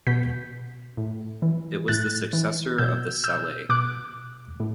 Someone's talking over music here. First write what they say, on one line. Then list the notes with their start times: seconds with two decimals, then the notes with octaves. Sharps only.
It was the successor of the sallet.
0.07 B2 G6 B6
0.97 A2
1.42 E3
1.88 A2 F#6 A6
2.33 E3
2.78 B2 E6 G6
3.24 E6 G6
3.69 B2 D6 F#6
4.60 A2